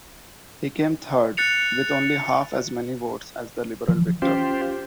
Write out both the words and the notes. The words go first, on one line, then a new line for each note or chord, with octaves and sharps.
He came third with only half as many votes as the Liberal victor.
F#6 A6 C#7 F7
E3 F3
C#4 F4 G4 C5